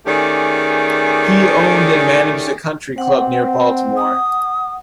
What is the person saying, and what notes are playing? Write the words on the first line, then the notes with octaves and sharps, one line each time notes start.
He owned and managed a country club near Baltimore.
D#3 A3 C#4 G4 G#4 D5
C4 F#5
D#6